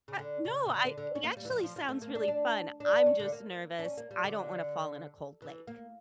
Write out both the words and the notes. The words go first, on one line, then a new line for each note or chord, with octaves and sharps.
But no, I it actually sounds really fun, I'm just nervous, I don't wanna fall in a cold lake,
C#3
D3
C#3
C#3
D3
D3
D3
C#4
A#3
G3
E3
F3
F3
F3
A3
A#3
D4
D4
D4
D4
C#4
D3
A#3
D4
C#4
A#3
G3
D3
E3
A#3